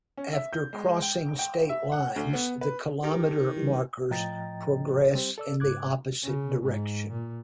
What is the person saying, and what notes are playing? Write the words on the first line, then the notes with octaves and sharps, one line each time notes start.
After crossing state lines the kilometer markers progress in the opposite direction.
C#4
E5
G6
G#3
G5
G5
E5
F#5
D2
B3
B4
D#3 G4 A4 A#5 F6
E3 G3
A2 F3 D#5 G5 A#5 A6
G3 C4 G4 C5
A4 D5 E6
G#2 C#3 D6 F#6 G#6
C#3
G#2
A#2